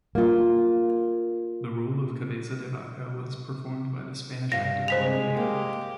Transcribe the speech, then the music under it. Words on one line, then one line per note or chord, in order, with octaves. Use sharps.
The role of Cabeza de Vaca was performed by the Spanish actor Juan Diego.
A#3 F4
G2 F5 A#6
G#3 C5 B6 F7
A#3 G4